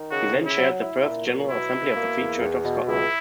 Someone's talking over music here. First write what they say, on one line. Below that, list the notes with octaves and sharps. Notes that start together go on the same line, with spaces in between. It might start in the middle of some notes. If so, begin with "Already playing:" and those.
He then chaired the first General Assembly of the Free Church of Scotland.
Already playing: D#3
C#3 F#4
C#3
E4
F#3
E4
A#2
F#3
B2 E4
B2
A#3
E2
E2
B2
C#2 E4